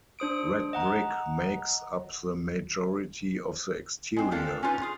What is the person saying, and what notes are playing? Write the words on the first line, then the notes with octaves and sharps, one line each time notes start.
Red brick makes up the majority of the exterior.
D4 C5 D#6 D7
D#5 F#5 A#5
G#3 C4
C4 D4 F4 A4 A#4
C#4 D#4 F4 B4
F4 G#4